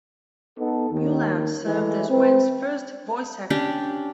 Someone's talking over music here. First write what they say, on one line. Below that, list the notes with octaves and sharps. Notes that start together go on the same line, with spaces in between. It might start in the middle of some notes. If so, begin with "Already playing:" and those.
Mulan served as Wen's first voice-acting role.
B3 D#4 A4
D#2 D#3
E3 G#3 A3 E4
C4 B4
C#4 D4 G4